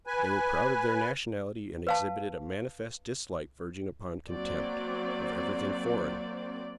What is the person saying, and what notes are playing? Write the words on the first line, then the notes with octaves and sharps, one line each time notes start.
They were proud of their nationality, and exhibited a manifest dislike, verging upon contempt, of everything foreign.
B4 G#5
B4 F5 A5
F#3 A#3 C4 D5